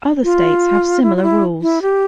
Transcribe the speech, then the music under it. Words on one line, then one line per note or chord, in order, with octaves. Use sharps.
Other states have similar rules.
F4
E4
F4
E4
E4
G4